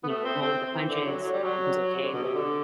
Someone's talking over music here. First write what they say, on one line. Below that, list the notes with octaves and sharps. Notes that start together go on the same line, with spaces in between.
you know, roll with the punches, um, who's okay with,
B3
A3
C4
C4
E3
D3
F#3
F#3
G3
F#3
C3
D3
B2
C3
D3